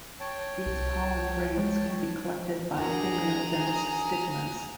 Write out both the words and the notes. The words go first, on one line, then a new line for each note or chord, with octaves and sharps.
These pollen grains can be collected by female dense stigmas.
C#5 G5 A5
C2
G#3
D4 F#4 G#4 A#4 A#5